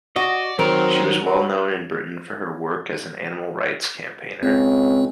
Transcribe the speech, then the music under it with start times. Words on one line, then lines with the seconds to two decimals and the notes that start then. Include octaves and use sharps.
She was well known in Britain for her work as an animal rights campaigner.
0.16 F#4 D5 D#5
0.59 D#3 F#3 C4 A#4
1.26 F#3
4.43 C#2 C4